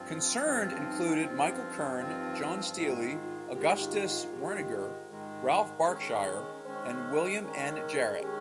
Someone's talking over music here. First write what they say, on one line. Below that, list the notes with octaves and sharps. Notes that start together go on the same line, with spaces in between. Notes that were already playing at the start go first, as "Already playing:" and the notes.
Concerned included Michael Kern, John Steally, Augustus Werninger, Ralph Barkshire, and William N. Jarrett.
Already playing: G2 F3 C4 F4
G2 F3 C4 C#4 F4
C#4
D#4
G2 F3 C4 C#4 F4
G2 F3 C4 D#4 F4
G#2 D#3 G#3 F4
F4
G#2 D#3 G#3 G4
F4
F4
G#2 D#3 G#3 G4
G#2 D#3 G#3
D#3 G#3 C#4 G#4
D#3 G#3 C#4 C5
D#3 G#3 C#4 A#4
A#4
G#4
G#4
D#3 G#3 C#4 G4